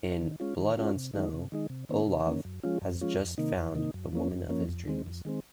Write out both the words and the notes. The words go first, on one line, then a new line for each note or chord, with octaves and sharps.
In "Blood on Snow", Olav has just found the woman of his dreams.
D#3
G#3 C#4 F4
D#3
G#3 C#4 F4
C3
D#3 G#3 D#4
C3
D#3 G#3 D#4
C3
D#3 A#3 C#4
C3
D#3 A#3 C#4
F#2
F3 G#3 C#4 F4
F#2
F3 G#3 C#4 F4
F2
C3 D#3 A#3 D#4
F2
C3 D#3 A#3 D#4
F#2
F3 A#3 C#4
F#2
F3 A#3 C#4
F2
D#3 G#3 C4
F2
D#3 G#3 C4